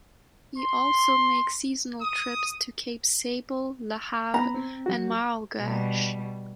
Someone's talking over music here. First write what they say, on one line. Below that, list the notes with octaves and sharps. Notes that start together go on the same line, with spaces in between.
He also make seasonal trips to Cape Sable, LaHave, and Mirlegueche.
C6
D#6
B3 A#5 B5
C4
F#3 F#4
B2 G3